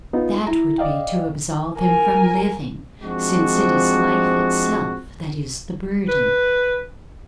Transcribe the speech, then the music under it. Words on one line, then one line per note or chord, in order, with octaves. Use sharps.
That would be to absolve him from living, since it is life itself that is the burden.
B3 D#4 F4
E4 A#5
D5 D#5 F5 G5
A#4 G#5
F3 G#3 C4 D4 F#4
B4